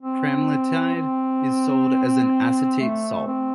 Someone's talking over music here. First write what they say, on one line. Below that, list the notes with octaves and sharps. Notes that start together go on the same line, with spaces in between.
Pramlintide is sold as an acetate salt.
C4
C4
A3
C4